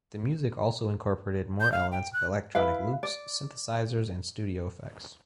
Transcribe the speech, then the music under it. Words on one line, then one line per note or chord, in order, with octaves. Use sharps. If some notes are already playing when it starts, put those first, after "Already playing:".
The music also incorporated more elements of electronic loops, synthesizers and studio effects.
G6
F5
G5
F#6
E4 B4 F5
D5